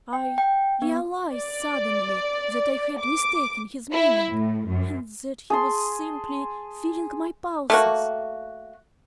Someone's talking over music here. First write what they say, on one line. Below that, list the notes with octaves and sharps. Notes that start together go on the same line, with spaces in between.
I realised suddenly that I had mistaken his meaning, and that he was simply feeling my pulses.
G5
G5
B3
D5
D6
E4
A2
F#2
G#4 A5 C6
A3 A#3 F#4